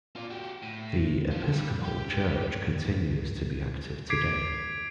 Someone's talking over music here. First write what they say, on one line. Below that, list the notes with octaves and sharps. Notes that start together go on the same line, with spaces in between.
The Episcopal church continues to be active today.
F4 D5
F#4 G4
A2
F3 F4
G3
G4
D6 G#6 B6 C7 D7